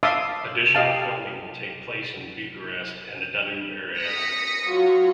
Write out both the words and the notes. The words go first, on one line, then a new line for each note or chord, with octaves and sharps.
Additional filming will take place in Bucharest and the Danube area.
E5 F5 A5 C6 D6 D#6
G4 D#5 F5 A5
D#6 A#6 B6 C#7
F#3 F4 F#4